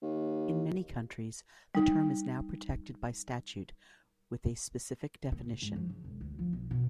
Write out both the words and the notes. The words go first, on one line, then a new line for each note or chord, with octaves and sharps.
In many countries the term is now protected by statute, with a specific definition.
D#2
G3 D#4
D#2
C#3
G#2
F3
C#3
E1
D2
F3
B1
B2